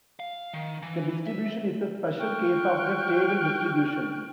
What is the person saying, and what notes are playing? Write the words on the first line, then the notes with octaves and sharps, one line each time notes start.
The distribution is a special case of the stable distribution.
F5
D#3
E3
E5
G5 C#6 F6 F#6